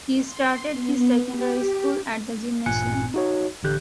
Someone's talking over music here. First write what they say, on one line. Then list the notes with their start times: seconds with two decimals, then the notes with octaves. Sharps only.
He started his secondary school at the gymnasium.
0.24 C6
0.72 B3
1.31 G4
2.66 A1 G2 A#2 G#5 F#6 C#7
3.14 D#4 F#4 C#5
3.64 A1 D3 G4 F#6 G6